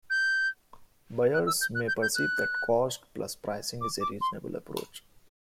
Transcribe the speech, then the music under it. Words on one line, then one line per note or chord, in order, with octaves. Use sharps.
Buyers may perceive that cost-plus pricing is a reasonable approach.
G6
F#6
E6
G6
F#6
G6
G6
F#6
D6
D6
C6